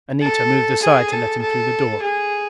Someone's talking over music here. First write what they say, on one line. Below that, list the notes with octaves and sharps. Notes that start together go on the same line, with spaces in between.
Anita moved aside to let him through the door.
A4
G#4
A4
A4
G#4